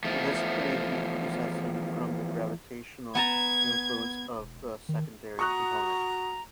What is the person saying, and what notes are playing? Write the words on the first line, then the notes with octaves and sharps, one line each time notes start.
The disk may be precessing from the gravitational influence of the secondary component.
E2 F3 A3
B3 A5 A#5 G#6
E1
D#3
F#4 A#5 C#6 D#6 F#6